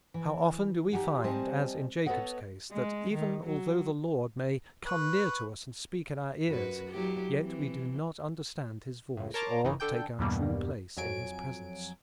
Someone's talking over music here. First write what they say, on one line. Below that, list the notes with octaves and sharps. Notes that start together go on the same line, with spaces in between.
How often do we find, as in Jacob's case, that even although the Lord may come near to us and speak in our ears, yet we do not understand his voice or take our true place in his presence.
E3
D#4 G4 F#5 G#5
G3 C4 C5 D#5 G#5 A5
B3 A4 B4 C#5 D#5 F#5
G#3
D#3
F#3
B4 C#6
F#2 F#4 B4
F#3 E4 G4
E3 C4
C#2 A2
A#4 C#5 A5 A#5 C6 D6
G1 D#3 E3 D#4
D3 A4 D5 G5 G6
E2 G2 B2 G3 A#3
F2 F#3 G#5 D7